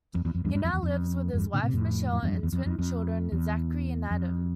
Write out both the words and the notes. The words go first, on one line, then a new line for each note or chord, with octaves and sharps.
He now lives with his wife, Michele, and twin children, Zachary and Adam.
F2
E2
F2
E2 G2
G2
F2
E2
F2
E2 G2
A#2 D3
A2 C3
F2 A2
F2 A2
E2 G2
F2
E2
F2
F2
F2
E2
F2